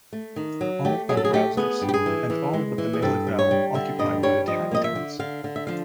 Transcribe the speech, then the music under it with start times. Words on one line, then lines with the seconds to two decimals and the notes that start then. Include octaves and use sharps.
All are browsers, and all but the malleefowl occupy wooded habitats.
0.13 A3
0.36 D#3
0.61 F#3
0.85 A3 G4
1.09 F#3 G#4
1.17 A4
1.25 G#4
1.33 A3 G4
1.57 B3 G#4
1.82 G2
1.89 G4
1.94 G#4
2.06 E3
2.30 E3
2.53 G#3
2.78 E3
2.93 G#4
3.02 G2 A4
3.27 G3
3.39 C#5
3.51 G3
3.74 D3 E5
3.99 G2 D#5
4.23 G3 C#5
4.47 F3 D#5
4.71 A#3 D#5
4.84 E5
4.95 D3
5.19 D3 F5
5.44 D3
5.56 E5
5.67 F3 F5